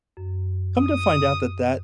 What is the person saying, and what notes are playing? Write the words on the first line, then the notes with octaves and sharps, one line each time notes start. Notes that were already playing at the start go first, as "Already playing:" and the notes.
Come to find out that that
F#2
D#6